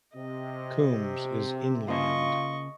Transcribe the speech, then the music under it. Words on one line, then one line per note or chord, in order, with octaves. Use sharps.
Coombes is inland.
C3 D#5
C#3 A#3 F4 D#5 C#6